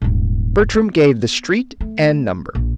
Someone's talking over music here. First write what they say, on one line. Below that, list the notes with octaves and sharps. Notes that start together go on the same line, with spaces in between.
Bertram gave the street and number.
D#1 G#2
B3
A3
A#1